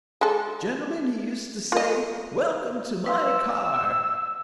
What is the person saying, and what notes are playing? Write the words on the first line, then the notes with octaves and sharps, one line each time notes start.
Gentlemen, he used to say, welcome to my car.
G#3 A4
F4 D#5
B4 F5 C6 E6